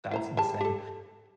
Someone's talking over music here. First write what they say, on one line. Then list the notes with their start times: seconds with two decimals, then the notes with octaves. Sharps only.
That's insane.
0.11 E4 C5 A#5
0.37 G3 G#4 A5
0.61 G4 A4